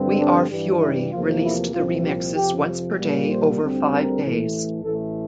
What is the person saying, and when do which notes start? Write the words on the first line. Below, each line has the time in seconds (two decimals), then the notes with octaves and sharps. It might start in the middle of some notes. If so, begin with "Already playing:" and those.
We Are Fury released the remixes once per day over five days.
Already playing: G2 D3 G3 C4
0.19 D4
0.49 G2 E3 G3
0.81 E4
1.12 E2 C3 F3 A#3 F4
1.43 E4
1.73 C2 A#2 F3 C4 F4
2.04 G4
2.35 F2 C3 F3 G4
2.97 A#1 A#2 G3 A#3
3.28 C5
3.59 D2 D3 G3 C4
3.91 A#4
4.21 A1 A2 E3 A3
4.83 A1 A2 E3 A3 A4